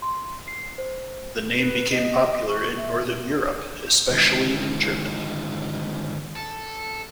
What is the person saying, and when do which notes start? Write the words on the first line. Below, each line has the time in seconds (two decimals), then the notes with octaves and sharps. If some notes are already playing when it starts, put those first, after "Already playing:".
The name became popular in Northern Europe, especially in Germany.
0.02 C6
0.48 C7
0.78 C5
1.58 B4
1.91 D#5
2.48 C#6
2.77 E5
4.11 D3 D#3 G#3 C4 D#4 E4
6.36 A4